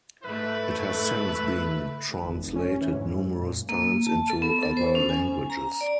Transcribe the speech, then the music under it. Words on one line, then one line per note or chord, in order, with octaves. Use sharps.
It has since been translated numerous times into other languages.
G#2 A3 E4 B4
G#1
F1
C#4
E3
G#2
F#2
A#2
A#3
A5
A4
B3
A4
C5
C#4
G#5
A#5
D5